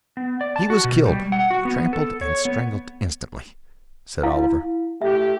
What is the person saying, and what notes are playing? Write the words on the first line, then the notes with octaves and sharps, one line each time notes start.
"He was killed--trampled and strangled instantly," said Oliver.
B3
D5
A5
F#4
B2
G3
F#5
F#4
B3
A4
C#5
B3
E4 F5
A3 G4 E5